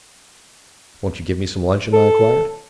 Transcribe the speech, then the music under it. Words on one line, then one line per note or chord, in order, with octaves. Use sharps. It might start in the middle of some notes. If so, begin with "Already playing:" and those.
"Won't you give me some luncheon?" I inquired.
A4